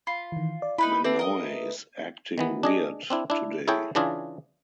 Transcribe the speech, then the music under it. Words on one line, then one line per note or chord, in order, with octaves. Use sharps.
Manoj is acting weird today.
F4 B5
D#3 E3
D5
D#4 E4 B4 B5
C4 D4 A4 B4 D5 E5
A#4 D#5
D#3 E3 B3
D4 G#4 D#5
C4 D4 E4
D4 E4
E4 G#4 A4 C#5 G5
C#3 E3 D4 F4 G#4